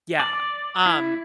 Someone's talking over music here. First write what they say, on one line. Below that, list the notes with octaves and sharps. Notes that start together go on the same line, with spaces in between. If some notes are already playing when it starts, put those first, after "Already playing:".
Yeah. Um,
D5
E4